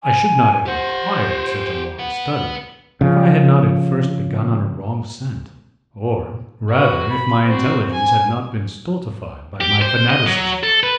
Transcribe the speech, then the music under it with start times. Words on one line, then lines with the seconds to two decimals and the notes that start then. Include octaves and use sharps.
I should not have required such a long study, if I had not at first begun on a wrong scent, or rather if my intelligence had not been stultified by my fanaticism.
0.03 G#5
0.66 G4 C5 F#5
1.99 B4 F#5
3.01 C#3 F3
6.70 F#4 B4
7.08 B5
7.45 C4 F#4
7.92 G#5
9.61 G4
9.82 C5
10.10 D#5
10.26 F#3
10.63 A4
10.83 B4